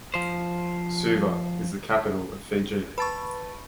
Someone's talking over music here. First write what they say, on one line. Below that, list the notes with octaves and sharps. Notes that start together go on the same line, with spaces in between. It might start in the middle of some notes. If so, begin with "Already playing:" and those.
Suva is the capital of Fiji.
F3 C5
B4 A5 B5 C#6 A6